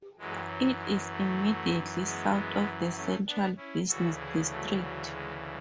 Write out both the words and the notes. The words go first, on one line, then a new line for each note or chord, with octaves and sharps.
It is immediately south of the central business district.
F#2 E3 G#3
F#3
G#3
F#3 A3
G#3 B3
A3 C#4
B3 D4
C#4 E4
D2 C#3 E3 F#4 A4
E4 G#4
F#3 A3
F#3
G#3